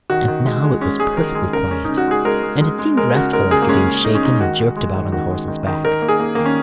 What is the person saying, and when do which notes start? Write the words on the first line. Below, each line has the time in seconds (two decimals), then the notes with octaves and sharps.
And now it was perfectly quiet, and it seemed restful after being shaken and jerked about on the horse's back.
0.10 D#3 F#4
0.28 D#3
0.46 G#3
0.64 G#3
0.81 G#3 C#4
1.00 G#3 G#4
1.17 D#3 A#4
1.35 G#3 G#4
1.53 C#3 A#4
1.71 G#3 C#4
1.85 C#3 D#4
1.97 F#4
2.07 G#3 G#4
2.25 G#3 A#4
2.43 G#3
2.61 G#3
2.79 G#3
2.97 G#3 A#4
3.15 C#3 F#4
3.33 G#3 A#4
3.51 C#3 G#4
3.62 A#3
3.69 G#3 C#4
3.86 G#3
4.05 G#3 D#4
4.15 C#4
4.23 G#3 D#4
4.40 D#3 F#4
4.59 G#3
4.77 G#3
4.95 D#3
5.12 D#3 F#4
5.31 G#3
5.48 D#3
5.66 D#3
5.85 D#3 A#4
6.02 A#3
6.09 G#4
6.20 A#3
6.35 D#3 A#3
6.45 C#4